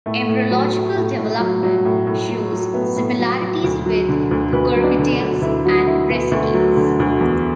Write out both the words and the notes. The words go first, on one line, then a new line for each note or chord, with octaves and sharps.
Embryological development shows similarities with Cucurbitales and Brassicales.
A2 A3
A2
F#3
F#3
A2
A2
F#3
F#3
A2
A2
F#3
F#3
A2 B3
A2
F#3
F#3
D2
F#3
D3
D2
D2 B4
F#3
D4
D3
D4
D2
D2 E4
F#3 F#4
D3 E4
D2 B3
D2 A3
F#3
D3
D2
E2